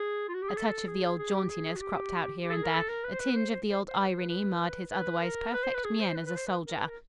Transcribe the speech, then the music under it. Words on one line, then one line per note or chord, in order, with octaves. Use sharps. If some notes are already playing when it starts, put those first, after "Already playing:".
A touch of the old jauntiness cropped out here and there, a tinge of the old irony marred his otherwise perfect mien as a soldier.
Already playing: G#4
F4
F#4
G4
G#4
A4
G#4
G#4
G4
G#4
F#4
G4
G4
A4
G#4
A#4
A4
A#4
B4
C5
B4
C5
C5
C5
C5
B4
C5
B4
B4
B4
A#4
B4
C5
B4
G#4
C5
B4
B4
C5
B4
A#4
B4
A#4